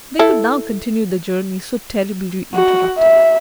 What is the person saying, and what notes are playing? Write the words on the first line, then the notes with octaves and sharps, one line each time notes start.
They could now continue the journey so terribly interrupted.
E4 A4
F#4
E5